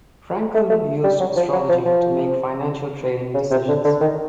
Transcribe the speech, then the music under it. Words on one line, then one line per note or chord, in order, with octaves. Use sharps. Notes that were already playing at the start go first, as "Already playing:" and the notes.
Frankel used astrology to make financial trading decisions.
A3
A3
G3
F#3
F3
F#3
F3
F3
C#3
C3
D3
D3
D#3